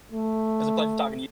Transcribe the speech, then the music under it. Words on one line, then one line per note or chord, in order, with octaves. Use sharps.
It's a pleasure talking to you
A3